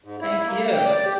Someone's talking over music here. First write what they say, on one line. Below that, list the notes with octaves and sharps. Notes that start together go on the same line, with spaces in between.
Thank you.
G#2
E4
A#3
G5
D5
G4